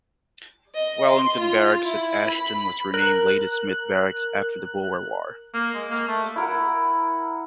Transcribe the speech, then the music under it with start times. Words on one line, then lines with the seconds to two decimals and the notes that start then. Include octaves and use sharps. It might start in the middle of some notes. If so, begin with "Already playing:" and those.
Wellington Barracks at Ashton was renamed Ladysmith Barracks after the Boer War.
0.74 D#5
1.08 C6
1.38 F4
1.85 E4
2.28 B5
2.94 A#4 F#6
5.54 A#3
5.75 G#3
5.91 A#3
6.08 A3
6.36 E4 A#4 F#5